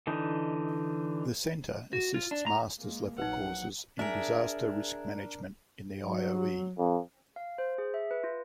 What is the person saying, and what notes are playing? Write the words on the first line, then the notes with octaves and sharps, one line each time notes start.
The center assists Master's level courses in Disaster Risk Management in the IoE.
D3 E3 D#4
F#4
F4
D4
A#5
G#3 A#3
A#1 F#3 D#4 B4 F#5
D4 G#4 A#4 E5
F#3
F2
F5
C5
G#4
E5
B4
F4